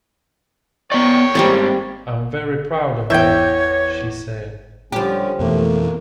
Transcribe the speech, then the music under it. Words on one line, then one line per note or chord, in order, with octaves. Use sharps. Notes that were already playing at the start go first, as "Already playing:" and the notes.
"I'm very proud of that," she said.
B3 C#5 D5 G5 C#6
G#2 G3 A#3 C4 D5
E2 C#5 E5 G5 G6
D3 F3 G3 C#4 G4
F2 B2 E3 A3 A#3